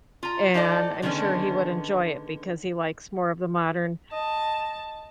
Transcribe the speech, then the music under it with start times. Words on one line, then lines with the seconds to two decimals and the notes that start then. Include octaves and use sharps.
And I'm sure he would enjoy it because he likes more of the modern
0.23 F4 A#5
0.54 E3 D#4 A4 D5
1.02 D3 D#3 G#3 B3 C#4 D4
4.12 D#5 A5